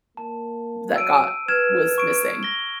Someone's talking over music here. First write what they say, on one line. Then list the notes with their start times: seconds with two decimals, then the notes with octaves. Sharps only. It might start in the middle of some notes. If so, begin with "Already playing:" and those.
that got was missing,
0.17 A#3 A5
0.96 F#3 E6 D7 D#7
1.48 B4 F6 G#6 E7
1.98 C#6 D7
2.43 A#6 G7